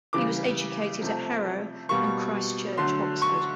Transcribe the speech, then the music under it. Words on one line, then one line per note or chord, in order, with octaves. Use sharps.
He was educated at Harrow and Christ Church, Oxford.
C#3 E3 G3 A#3 D6
C3 F3 A3
B2 G3 A#3 C#6
D3 F#3 A3 C6
C#6